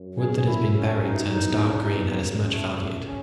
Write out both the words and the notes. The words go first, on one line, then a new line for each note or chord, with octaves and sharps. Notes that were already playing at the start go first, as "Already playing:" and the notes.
Wood that has been buried turns dark green and is much valued.
Already playing: F#2
G#4
E4
C#4
D#4
E2 D#4
A2
C#4
D#4
B2
C#3
A3
C#4